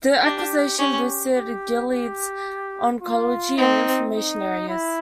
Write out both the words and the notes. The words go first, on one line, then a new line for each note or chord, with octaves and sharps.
The acquisition boosted Gilead's oncology and inflammation areas.
D4 G4
C#4 G4
G4
G4
F4
C4 D#4
D#4
E4